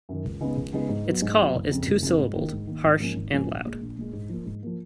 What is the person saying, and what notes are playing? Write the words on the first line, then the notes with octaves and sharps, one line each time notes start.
Its call is two-syllabled, harsh and loud.
F#2 D#3
C#2
C#3 G#3 B3 D#4
C#2
C#3 G#3 B3 D#4
G#2
F#3 B3
G#2
F#3 B3
F#1
F2 C#3
F#1
F2 C#3
G#2
D#3 A#3
G#2
D#3 A#3
G#1
G#2 F3 A#3 C#4
G#1
G#2 F3 A#3 C#4
A#1
A#2 G#3
A#1
A#2 G#3
G#2
F3 A#3
G#2
F3 A#3